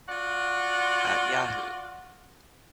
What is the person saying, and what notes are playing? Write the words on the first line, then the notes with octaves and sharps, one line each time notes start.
At Yahoo!
F4 F#4 D5 F#5